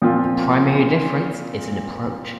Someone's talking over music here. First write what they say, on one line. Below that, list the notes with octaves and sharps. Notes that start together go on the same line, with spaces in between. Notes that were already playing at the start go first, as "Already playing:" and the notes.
The primary difference is in approach.
A#2 F3 C4 F4